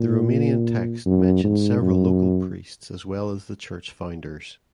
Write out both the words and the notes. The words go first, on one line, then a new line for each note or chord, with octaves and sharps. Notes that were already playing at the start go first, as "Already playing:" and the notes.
The Romanian text mentions several local priests as well as the church founders.
Already playing: A#2
F#2
G#2
F#2